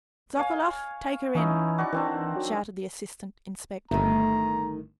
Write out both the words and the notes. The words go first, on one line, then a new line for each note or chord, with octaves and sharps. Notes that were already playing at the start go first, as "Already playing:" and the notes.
"Sokoloff, take her in!" shouted the assistant inspector.
C#5 F5 G#5
E3 C#4 D#4 E4
F#4 D5 C#6
D#3 E3 C4 D4
F#3
G1 D#3 A3 A#5